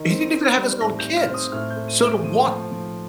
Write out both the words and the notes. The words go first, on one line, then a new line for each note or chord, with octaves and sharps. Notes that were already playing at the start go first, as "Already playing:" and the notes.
he didn't even have his own kids, so to want
Already playing: D#3
C4
C4
G3
A2 A#6
G6
C4
F6
C4
D#6
A2 F6
G6
A3
D#7
A3
D7
F3 D#7
F3
F3